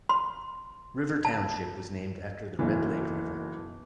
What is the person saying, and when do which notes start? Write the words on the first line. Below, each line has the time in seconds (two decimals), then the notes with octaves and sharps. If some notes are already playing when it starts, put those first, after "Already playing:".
River Township was named after the Red Lake River.
0.09 C6
1.25 A5
2.59 F#1 B1 E3